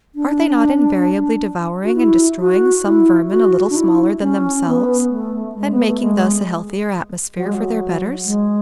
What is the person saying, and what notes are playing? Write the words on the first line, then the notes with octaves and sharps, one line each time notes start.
Are they not invariably devouring and destroying some vermin a little smaller than themselves, and making thus a healthier atmosphere for their betters?
D4
F#4
E4
F#4
E4
F#4
D4
E4
C#4
B3
A3
G#3
B3
A3
G#3
F#3
G#3
F#3
G#3